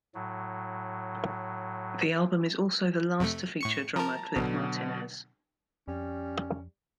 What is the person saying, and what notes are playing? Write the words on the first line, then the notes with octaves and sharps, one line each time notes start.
The album is also the last to feature drummer Cliff Martinez.
A2 F#3
F2 C3 A3
A2 C#6 C#7
F3 A#4 A5 A#5
A1 B2 D3 F#3
F2 G3 C#4